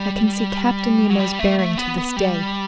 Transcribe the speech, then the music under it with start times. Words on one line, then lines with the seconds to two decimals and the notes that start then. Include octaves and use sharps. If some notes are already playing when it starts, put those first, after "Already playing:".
I can see Captain Nemo's bearing to this day.
Already playing: G3
1.10 F#3
1.20 G3
1.39 A3
1.59 A3
1.78 B3
1.98 B3
2.16 G3